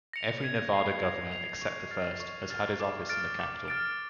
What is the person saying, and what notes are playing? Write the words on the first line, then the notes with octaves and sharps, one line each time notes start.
Every Nevada governor except the first has had his office in the capitol.
A#6 C#7 F7
G#6
C7 F7
G#6
C7 F7
C#6
F6 A6
C#6
F6 A6
D6
F6 A6 D7
D6
F6 A6 D7